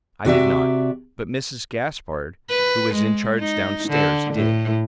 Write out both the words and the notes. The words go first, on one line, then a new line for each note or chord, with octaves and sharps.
"I did not, but Mrs. Gaspard, who was in charge downstairs, did."
C3 F#4 D5 E5
B4
G#3
D#4
D3
A2